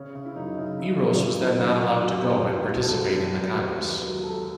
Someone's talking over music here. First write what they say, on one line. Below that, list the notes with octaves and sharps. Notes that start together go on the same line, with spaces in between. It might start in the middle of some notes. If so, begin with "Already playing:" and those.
Eros was then not allowed to go and participate in the congress.
Already playing: C#3 C#4
C#3
E4
F#2 D#4
C#3
C#3 E4
C#3
F#2 E4
D#4
F#2
E4
D#3
F#3
D#2
D#2
F#3 E4
F#4
F#3
A4
F#3
E1
F#3
D#2
D#2 B4
F#3
F#3 A4